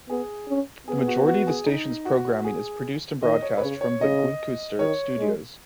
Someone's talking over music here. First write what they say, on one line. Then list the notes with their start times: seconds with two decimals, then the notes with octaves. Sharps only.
The majority of the station's programming is produced and broadcast from the Gloucester studios.
0.09 B3 G#4
0.48 C#4
0.88 B3 G#4
1.08 F#4
1.27 F#4
1.47 G#4
1.66 D#4
2.05 F#4
2.45 G#4
3.23 D#3 D#5
3.42 C#5
3.57 B4
3.61 C#3 C#5
3.81 C#5
4.01 C#3 D#5
4.79 D#3 C#5
5.19 G#3